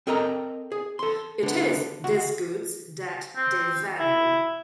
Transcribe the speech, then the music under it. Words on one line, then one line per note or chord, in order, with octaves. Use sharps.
It is these goods that they value.
C4 A4 A#4 D#5 G5 A#5
G#4
A4 C6
D3 B3
D2 F#4 F#5
C4
E4